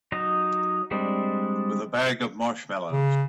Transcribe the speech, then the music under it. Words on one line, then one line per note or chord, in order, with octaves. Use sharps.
With a bag of marshmallows.
F#3 D#4 A#5
G3 G#3 C4 D4
C#3